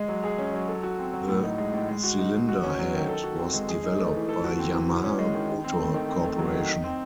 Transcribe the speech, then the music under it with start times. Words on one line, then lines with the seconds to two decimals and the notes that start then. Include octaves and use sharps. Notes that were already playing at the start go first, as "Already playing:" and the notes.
The cylinder head was developed by Yamaha Motor Corporation.
Already playing: G#3
0.08 F#3
0.24 G#4
0.38 C#4
0.53 F#3
0.68 A4
0.83 F#4
0.99 C4
1.13 F#3
1.29 A2
1.43 D#4
1.58 G#3
1.74 A2
1.89 G#3
2.04 F#4
2.19 D#4
2.34 G#3
2.49 F#4
2.64 C#4
2.78 F#3
2.94 D#3
3.09 A4
3.24 F#4
3.39 C4
3.54 G#3
3.69 G#4
3.84 D#4
3.99 A3
4.14 E3
4.29 A4
4.44 F#4
4.59 C4
4.74 E3
4.89 F#4
5.04 C#4
5.19 G#3
5.34 D#3
5.49 D#3
5.64 C4
5.79 A3
5.94 D#3
6.09 C4
6.24 A3
6.39 F#3
6.54 D#3
6.69 D#4
6.84 C4